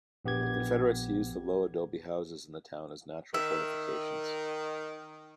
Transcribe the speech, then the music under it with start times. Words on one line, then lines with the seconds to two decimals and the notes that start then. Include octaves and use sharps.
The Confederates used the low adobe houses in the town as natural fortifications.
0.25 A#1 B3 G4 G#6
3.34 D#3 E5